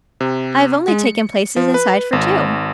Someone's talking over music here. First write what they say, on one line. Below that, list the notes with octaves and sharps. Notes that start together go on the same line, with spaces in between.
I have only taken places inside for two.'
C3
G#3
C#7
F3
B4
G#1